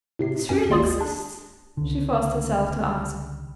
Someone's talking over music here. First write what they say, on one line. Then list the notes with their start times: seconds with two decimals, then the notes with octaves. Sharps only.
'This really exists?' she forced herself to ask.
0.19 A2 C3 C7
0.49 F#2 C#4
0.70 G#1 D#2 G#3 F4 D5 D#6
1.01 D4
1.77 C#2 D3